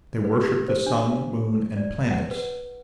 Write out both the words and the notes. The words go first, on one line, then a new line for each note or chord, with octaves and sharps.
They worshipped the sun, moon, and planets.
B4
G4
C5
D4
D5
F#5
B4